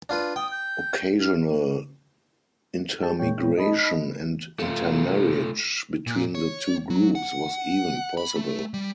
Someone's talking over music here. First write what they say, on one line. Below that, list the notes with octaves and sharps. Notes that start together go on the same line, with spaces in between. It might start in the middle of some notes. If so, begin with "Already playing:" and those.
Occasional intermigration and intermarriage between the two groups was even possible.
D4 F4 B4
G5 D#6
G6
F6
G#4 G5 A5
A#2 G#3 A#3 C#5 G5
D#4 D#5 A5 B5
A3 F4
A#2
C#5
F#3
F#5
B5
A3
G3